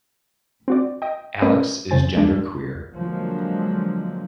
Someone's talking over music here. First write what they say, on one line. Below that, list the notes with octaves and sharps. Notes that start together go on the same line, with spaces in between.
Alex is genderqueer.
C4 F#4 D5
D#5 G5
A3 C#4 A#4 B4 C#5 D#5
F2 C#3 F#3 C5 G#5 A6
D#2 G#3 D4
D3 F3 F#3 G#3 A#3